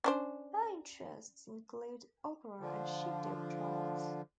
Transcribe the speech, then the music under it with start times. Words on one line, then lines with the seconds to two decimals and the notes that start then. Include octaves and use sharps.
Her interests include opera and sheepdog trials.
0.04 C#4 D4 C5
2.60 D3 F3